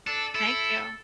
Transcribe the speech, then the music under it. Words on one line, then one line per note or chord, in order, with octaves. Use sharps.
Thank you.
D4 A4
E4 A4